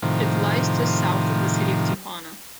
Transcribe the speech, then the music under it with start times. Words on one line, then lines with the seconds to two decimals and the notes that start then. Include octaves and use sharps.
It lies just south of the city of Tijuana.
0.02 A2 C3 D#3 F3